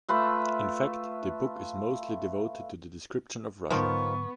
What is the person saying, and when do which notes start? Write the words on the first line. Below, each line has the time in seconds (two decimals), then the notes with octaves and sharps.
In fact, the book is mostly devoted to the description of Russia.
0.09 A3 F4 B4 E5
3.70 G#2 D3 D#3 F3 F#3 B3 C#6